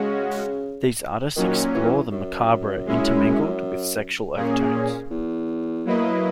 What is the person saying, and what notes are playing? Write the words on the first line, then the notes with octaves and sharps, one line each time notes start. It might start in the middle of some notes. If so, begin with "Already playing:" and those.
These artists explore the macabre intermingled with sexual overtones.
Already playing: C#3 G#3 C#4 F#4
A#2 D#3 F#3 C#4
E3
F#2
G#3 C#4 E4
A#2 A#3 C#4 G#4
E2
F#3 A#3 E4 B4 D#5